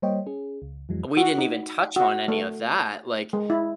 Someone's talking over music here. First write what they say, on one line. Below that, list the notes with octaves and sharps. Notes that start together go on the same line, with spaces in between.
We didn't even touch on any of that. Like,
G3 A#3 C5 C#5 D#5 G5
C#4 G#4
C#2
F2 E3 F#3 G#3
F#4
D#4
F#4
A3
G#3
E4